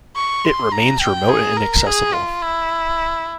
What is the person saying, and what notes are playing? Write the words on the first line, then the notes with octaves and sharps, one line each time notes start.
It remains remote and inaccessible.
C#6
C6
A#5
G5
G#4
A#4
G#4
F4
E4